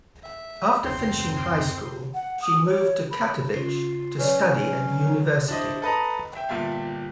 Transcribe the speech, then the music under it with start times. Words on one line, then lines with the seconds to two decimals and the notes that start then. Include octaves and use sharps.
After finishing high school she moved to Katowice to study at university.
0.23 E5
0.83 F#1 D#2 C4 C6 G6
2.14 F#5
2.42 D#6
2.65 C#5
3.11 B5
3.54 C#3 F4 C7
4.18 F#3 C#4 B4 C#5 D5
5.48 D4 E4 C5 D#5
5.82 A4 B4 D#5 A#5
6.35 E5 G5
6.49 G1 A#2 G3 E5 F5